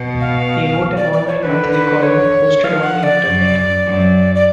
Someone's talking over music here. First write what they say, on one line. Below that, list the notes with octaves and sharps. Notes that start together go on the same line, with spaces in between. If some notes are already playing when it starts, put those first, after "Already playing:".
He wrote an online monthly column posted on the Internet.
Already playing: B2
F5
D5
D5
C#5
D3 B4
B4
C#5
F3 F5
F#5
D5
F#2
F#2
D5